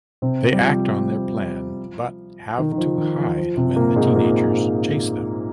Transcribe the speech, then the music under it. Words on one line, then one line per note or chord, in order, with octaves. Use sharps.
They act on their plan but have to hide when the teenagers chase them.
C3 C4
G3
F3
D#3
D#3
F3
D#3
F3
F3
C3 C4
A#2 A#3
G#2 G#3
A#2 A#3